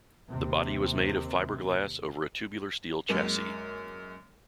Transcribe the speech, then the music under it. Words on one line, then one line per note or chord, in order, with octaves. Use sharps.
The body was made of fiberglass over a tubular steel chassis.
D#2 C3
F#2 G#3 A#3 C#7